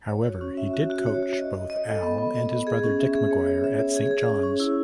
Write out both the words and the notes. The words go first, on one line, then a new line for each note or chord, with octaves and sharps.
However, he did coach both Al and his brother Dick McGuire at Saint John's.
C#5
F#4
C#4
E5
F#4
F#4
C#5
F#4
D#5
D#5
D#5
A4
B3
B3
D#5
B3
G#4
C#4
E5
G#4
C#5
C#5
E5
C#5
G#4
G#4
C#4
C#4
E4